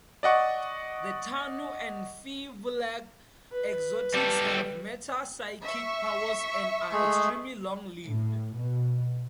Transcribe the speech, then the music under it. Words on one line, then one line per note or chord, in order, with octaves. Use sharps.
The Tanu and Firvulag exotics have metapsychic powers and are extremely long-lived.
D5 D#5 F#5 C#6
B4
G3 A4
E5 C#6
G#3 A3 G#4
A2
B2